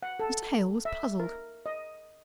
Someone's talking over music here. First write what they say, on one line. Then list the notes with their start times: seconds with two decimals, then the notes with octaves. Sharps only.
Mr. Hale was puzzled.
0.03 F#5
0.19 A4
0.85 E5
1.20 A#4
1.66 D#5